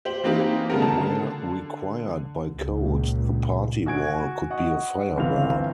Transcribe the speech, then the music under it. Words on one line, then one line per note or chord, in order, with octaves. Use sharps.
Where required by code, the party wall could be a firewall.
G4 C5 F#7
E3 A#3 C4 D#4 E4 G4
C#3 G3 A3 B3 A#4
D3 A5
C#2 A#2
F#4 G#5 G#6 D7
D#5 F#5 C#6
G1 E3 C4 F4 F5 F7